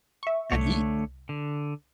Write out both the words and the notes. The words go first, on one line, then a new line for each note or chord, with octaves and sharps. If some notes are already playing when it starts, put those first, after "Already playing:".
and eat,
E5 C#6
C2 D3 A3 C#5
D3